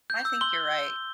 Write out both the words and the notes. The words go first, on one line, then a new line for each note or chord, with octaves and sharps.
I think you're right.
G6
E6
C6 G7